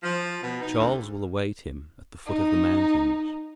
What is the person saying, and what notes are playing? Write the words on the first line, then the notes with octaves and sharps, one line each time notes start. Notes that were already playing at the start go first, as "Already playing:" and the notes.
Charles will await him at the foot of the mountains.
F3
B2
D#4
D2
D#4